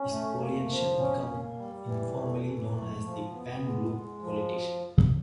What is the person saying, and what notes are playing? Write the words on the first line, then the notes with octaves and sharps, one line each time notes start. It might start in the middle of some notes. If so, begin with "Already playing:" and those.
This coalition became informally known as the Pan-Blue Coalition.
Already playing: C#4
A3
A#3
F3
C#4
A#3
G3
E3
A3
E3
A3
F3
B3
G#3
G#3
F3